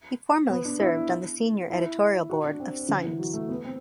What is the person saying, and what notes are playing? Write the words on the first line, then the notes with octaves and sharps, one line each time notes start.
He formerly served on the Senior Editorial Board of "Science".
B3
D4
E4
E4
F#4
D4
C4
D3
E3
F#3
A3
B3
C4